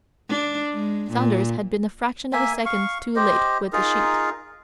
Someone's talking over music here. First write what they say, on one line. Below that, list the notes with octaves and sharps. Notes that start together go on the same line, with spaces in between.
Saunders had been a fraction of a second too late with the sheet.
D4
G#3
A#2
A#3 E5 G#5
F5 C#6
G4 C5 D#5
D#4 F4 G#4 A#4